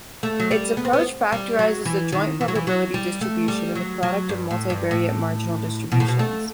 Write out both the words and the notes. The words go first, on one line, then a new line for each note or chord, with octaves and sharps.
Its approach factorizes the joint probability distribution in the product of multivariate marginal distributions.
A3
F#3
G3
B3
C4
B3
G3
F#3
E3
D#3
E3
F#3
E3
F#3
G3
A3
G3
F#3
F#3
G2
A2
G2
A2
B2
A2
B2
A3